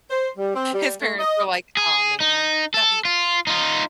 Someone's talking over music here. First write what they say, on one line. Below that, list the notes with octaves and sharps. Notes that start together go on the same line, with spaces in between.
His parents were like, "Aw, man, that he
C5
G3
C4
G3
A3
D#5
G#4
D#4
A4
F4
D#4 F4